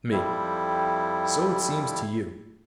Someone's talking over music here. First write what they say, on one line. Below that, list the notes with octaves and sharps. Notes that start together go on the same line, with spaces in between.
ME: So it seems to you.
F2 G3 E4